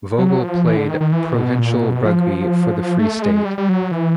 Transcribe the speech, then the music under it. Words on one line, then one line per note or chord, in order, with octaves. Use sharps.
Vogel played provincial rugby for the Free State.
F#3
F3
E3
D3
D#3
D#3
E3
B2
A#2
B2
F3
A3
G#3
G3
G3
F#3
E3